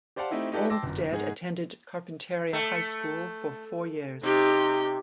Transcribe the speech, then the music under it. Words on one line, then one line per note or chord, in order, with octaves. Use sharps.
Olmstead attended Carpinteria High School for four years.
G4 C5 D5 F5 F#5 A5
A3 C4 D#4 E4 G4
D#4 F4 G4 A4 B4 D5
G5 A5 C6 D6 E6 A#6
G1 F#2
G#2 G#4 F#5
A3
C3 D#4 G4